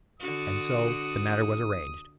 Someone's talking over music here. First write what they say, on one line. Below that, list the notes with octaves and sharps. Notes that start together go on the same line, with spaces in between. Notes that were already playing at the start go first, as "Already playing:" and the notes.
And so the matter was arranged.
D3 F#4 D#6